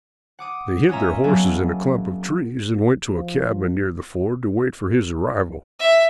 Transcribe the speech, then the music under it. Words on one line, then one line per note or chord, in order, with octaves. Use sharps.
They hid their horses in a clump of trees and went to a cabin near the ford to wait for his arrival.
F#5 D6 D#6
C#4 F4 D#5 E5 A#5
F#3 A#3 B3 G#4 A4
F3
E5